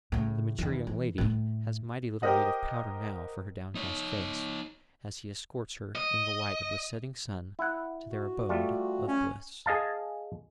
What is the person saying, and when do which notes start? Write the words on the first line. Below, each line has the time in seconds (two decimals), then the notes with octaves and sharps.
The mature young lady has mighty little need of powder, now, for her downcast face, as he escorts her in the light of the setting sun to their abode of bliss.
0.12 A2 C#3
0.59 E2 D#3
0.87 E3
1.18 A2 A3
2.22 G4 A#4 C5 D#5 F#5
3.75 D#4 C#5
5.95 D#5
7.59 E4 F#5
8.10 F#4
8.49 G3 A3 F4
9.08 C#4
9.66 G#4 D#5 F5 A5